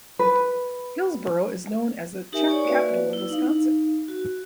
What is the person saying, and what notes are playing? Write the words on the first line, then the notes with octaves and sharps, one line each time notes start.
Hillsboro is known as the Czech Capital of Wisconsin.
B4
D#4 G4 A#4 E5 G#5
C#5 D5 G#5 C#6
A#3 F#4 B4 D5 E5 F5
E4 E6
D#4 F5
F#4